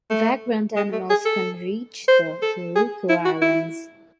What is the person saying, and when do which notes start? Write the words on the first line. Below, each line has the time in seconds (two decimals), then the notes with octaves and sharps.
Vagrant animals can reach the Ryukyu Islands.
0.10 A3
0.76 G#3
0.92 A3
1.10 G#4
1.25 A4
2.08 C5
2.42 A4
2.75 G#4
3.09 E4
3.25 F#4
3.41 E4